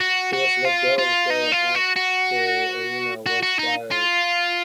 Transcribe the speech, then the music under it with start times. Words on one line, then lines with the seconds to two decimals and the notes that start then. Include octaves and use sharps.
He was let go, though, after Arena was fired.
0.01 F#4
0.33 F#4
0.65 F4
0.98 F4
1.30 D#4
1.52 F4
1.75 F#4
1.96 F#4
3.26 F#4
3.43 F#4
3.59 D#4
3.91 F4